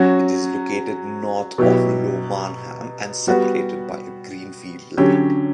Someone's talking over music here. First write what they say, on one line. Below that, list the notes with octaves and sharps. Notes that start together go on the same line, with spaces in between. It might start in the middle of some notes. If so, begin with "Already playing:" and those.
It is located north of Low Marnham and separated by greenfield land.
Already playing: F#3 C#4 F#4
B2 F#3 B3 E4 G4
G3 B3 F#4
D3 F#3 C#4 G4